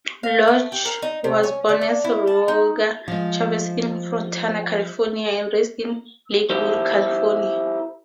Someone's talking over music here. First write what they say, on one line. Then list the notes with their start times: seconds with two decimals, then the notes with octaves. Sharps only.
Lodge was born as Roger Chavez in Fontana, California and raised in Lakewood, California.
0.23 F5
0.48 A3
0.72 G4
0.85 A#4
1.02 D#4
1.24 C3
1.43 C#4
1.69 D3
1.81 D4
2.04 E4
2.27 A5
2.48 D#4
3.08 F3 G#3
6.50 E4 G4 A4 C5